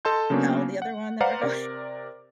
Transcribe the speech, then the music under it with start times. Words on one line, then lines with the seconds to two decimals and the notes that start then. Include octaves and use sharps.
tell the other one that we're going
0.05 A4 D#5 A5 C6 G6
0.30 C#3 F#3 A#3 B3 C#4 D4
0.82 F#5
1.20 B4 C5 D5 F5 F#5 A#5
1.41 C3 A#4 D5